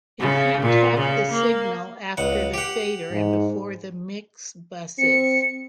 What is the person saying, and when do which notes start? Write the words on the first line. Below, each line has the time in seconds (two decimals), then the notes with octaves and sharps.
A few tap the signal after the fader and before the mix buses.
0.19 C#3
0.62 A#2
0.96 C#3
1.32 A#3
2.17 C#2 F#5
2.54 G4 F#5
3.11 G#2
4.98 C4 C#7